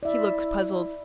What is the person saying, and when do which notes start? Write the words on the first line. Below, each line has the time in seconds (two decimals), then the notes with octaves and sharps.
He looks puzzled.
0.03 E4 D5 E5